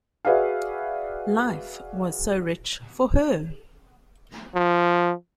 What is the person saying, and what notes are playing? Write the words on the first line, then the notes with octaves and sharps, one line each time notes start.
Life was so rich for her.
F#4 G#4 B4 D5 E5 F5
F3